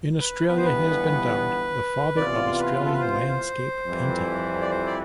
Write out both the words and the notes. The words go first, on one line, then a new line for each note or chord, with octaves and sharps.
In Australia he has been dubbed "the father of Australian landscape painting".
B4
G1 G2 E3 B3 B4
C5
B4
C3 E3 B3 F4 D5
B4
A4
B4
C5
F2 E3 G3
D5
C5
D5